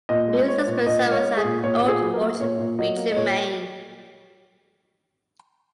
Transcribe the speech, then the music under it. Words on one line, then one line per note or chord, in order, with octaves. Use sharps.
We used to spend summers at Old Orchard Beach in Maine.
A#2 D#5
G#3
G#3 C#5
A#2
A#2 D#5
G#3
C#5
G#3
G#4
A#2
A#2 C#5
A#2
G#4
F#3
A#4
A#3
A#2 C#5
A#2
F#3 D#5
A#3
D#5
A#2 C#5